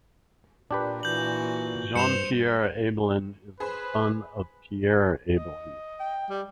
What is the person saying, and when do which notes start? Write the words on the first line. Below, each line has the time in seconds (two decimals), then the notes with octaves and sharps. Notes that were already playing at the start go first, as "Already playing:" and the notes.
Jean-Pierre Abelin is the son of Pierre Abelin.
0.71 A#2 D4 G4 B4
1.03 A#2 E3 F#4 G6 F#7
1.96 G2 C5 C#7 E7 F7
3.60 G#4 B4 C5 B5
5.35 D#5
6.00 G5
6.30 G3